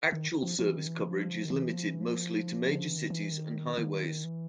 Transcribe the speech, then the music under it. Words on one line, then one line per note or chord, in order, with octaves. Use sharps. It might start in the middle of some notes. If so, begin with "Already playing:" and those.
Actual service coverage is limited mostly to major cities and highways.
D#3
F3
F3
E3
D#3
E3
F3
D#3
E3
F3
E3
F3
E3
D#3
E3
D#3
D#3
E3